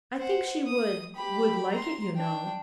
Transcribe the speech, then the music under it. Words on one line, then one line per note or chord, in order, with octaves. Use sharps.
"I think she would,--would like it, you know."
C5 F#5
D#6
G4 B5
A#5 C6
D4 G5